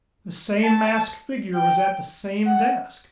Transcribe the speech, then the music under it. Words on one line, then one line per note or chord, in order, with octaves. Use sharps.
The same masked figure was at the same desk.
A5
G5
F#5